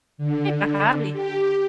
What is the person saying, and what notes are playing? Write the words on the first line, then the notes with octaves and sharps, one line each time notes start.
pick a hobby?
D3
G4